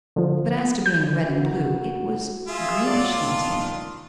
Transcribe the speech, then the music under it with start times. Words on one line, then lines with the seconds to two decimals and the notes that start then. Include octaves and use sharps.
But as to being red and blue--it was greenish in tint.
0.16 D3 F3
0.86 G6
1.30 F#4
2.48 F4 G#4 E5
2.86 F#3 D5
3.16 D#3 D4